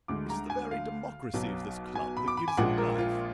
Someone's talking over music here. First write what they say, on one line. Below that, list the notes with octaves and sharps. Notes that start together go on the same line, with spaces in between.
It is the very democracy of this club that gives it life.
D2 D3 G#3 D6
A#5
G#5
F5
B1 B2 F#3
G#5
B5
D6
B5
G#5
A#1 A#2 F3 G#3 F#5
A#4
F4